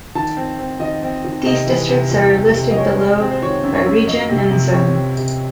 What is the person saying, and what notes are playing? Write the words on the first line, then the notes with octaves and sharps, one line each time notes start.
These districts are listed below, by region and zone.
D#3 A5
C4
C4
D#3 D#5
C4
D#3
C3 D#5
E3
C3
E2
C3
C3
D#5
G#3 C#5
G#3
C4
C5
D#3 C#5
F#2
C#5
F#2
F#3 D#5
C3
C3
C4 C#5
C4
C3